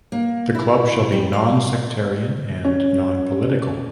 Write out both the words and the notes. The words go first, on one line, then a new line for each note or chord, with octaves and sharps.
The club shall be non-sectarian and non-political.
A#3
E4
G3
F5
C#4